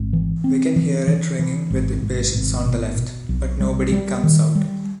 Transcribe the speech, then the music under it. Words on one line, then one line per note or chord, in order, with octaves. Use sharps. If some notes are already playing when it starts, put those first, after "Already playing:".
We can hear it ringing with impatience on the left, but nobody comes out.
Already playing: G#1
E3
C4
E3
E3
E3
G#1
G#1
G#1
B2
B2
B1
G3
G3
D#3
G3